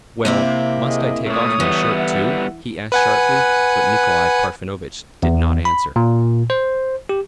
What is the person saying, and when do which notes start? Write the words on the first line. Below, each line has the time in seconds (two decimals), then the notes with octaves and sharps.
"Well, must I take off my shirt, too?" he asked sharply, but Nikolay Parfenovitch did not answer.
0.25 C3 A#3 C4 E4
0.85 G#4 D#5
1.26 A#2 A3 C#5 D#6
1.60 E3 G3 B3
1.97 E5 F#5
2.92 B4 F#5 G#5
5.23 E2
5.65 B5
5.96 A#2
6.50 C5
7.09 G4